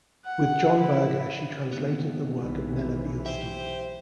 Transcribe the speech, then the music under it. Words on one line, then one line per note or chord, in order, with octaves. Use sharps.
With John Berger, she translated the work of Nella Bielski.
F#5
E4
D#2 G#2 B3
B1 E3
G4 C5 E5